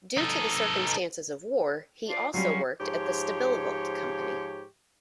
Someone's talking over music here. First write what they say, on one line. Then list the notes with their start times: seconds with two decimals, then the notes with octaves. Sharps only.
Due to the circumstances of war, he also worked at the Stabilovolt Company.
0.18 D#4 A4
2.08 F4 D5 A5
2.34 F#3 G3 C#4 F4 F#4
2.80 G#2 F3 G4 C#5